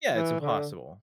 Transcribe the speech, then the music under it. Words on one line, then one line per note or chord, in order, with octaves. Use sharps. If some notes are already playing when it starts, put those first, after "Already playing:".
Yeah, it's impossible.
E3
D3